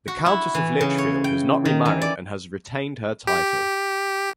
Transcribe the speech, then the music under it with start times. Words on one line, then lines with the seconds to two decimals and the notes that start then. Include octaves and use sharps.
The Countess of Lichfield has not remarried and has retained her title.
0.08 F#4
0.26 E4
0.55 E3
0.81 C#3
0.98 C#5
1.24 G5
1.65 D#3
1.85 E3
2.02 D5
3.27 G4